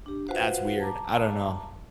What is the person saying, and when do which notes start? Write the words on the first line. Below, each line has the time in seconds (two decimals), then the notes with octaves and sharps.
that's weird. I don't know.
0.06 D4 G4
0.28 F4 F#4 B4 C5 F5 F#5
0.80 A5 A#5 D6